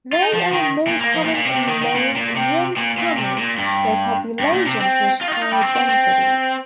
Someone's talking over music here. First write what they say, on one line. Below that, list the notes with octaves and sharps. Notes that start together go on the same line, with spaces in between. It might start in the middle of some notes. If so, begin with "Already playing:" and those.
They are more common in long, warm summers where populations reach higher densities.
F4
D#4
F3
D#3
A#2
A#3
F3
A#2
A#2
C3
C3
D#3
D#3
A#2
A#2
C3
A#2
A#2
C3
A#2
G2
G2
A#2
C3
C4
F4
D#4
F4
D#4
G3
C4
C4
C4